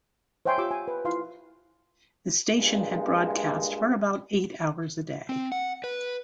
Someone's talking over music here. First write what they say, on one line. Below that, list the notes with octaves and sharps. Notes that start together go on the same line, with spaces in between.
The station had broadcast for about eight hours a day.
C5 C#5 E5 G5 G#5 C6
F4 G4 D6 E6
G#5
B4
E4 F4 F5 C6
G2 A#2 G#3
C4
F#5
B4